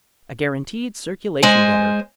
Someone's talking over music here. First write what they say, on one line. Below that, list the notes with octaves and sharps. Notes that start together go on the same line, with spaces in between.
A guaranteed circulation-getter.
G#3 C5 G#5